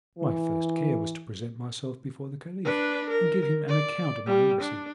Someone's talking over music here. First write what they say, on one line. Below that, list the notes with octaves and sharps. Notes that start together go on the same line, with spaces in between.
My first care was to present myself before the Caliph, and give him an account of my embassy.
E3
D4 B4
A#4
D5
G3
D4